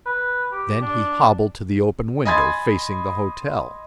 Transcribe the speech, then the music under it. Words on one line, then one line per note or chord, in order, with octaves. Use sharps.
Then he hobbled to the open window facing the hotel.
B4
G4
D4
D#5 G#5 B5 C6 G#6 A6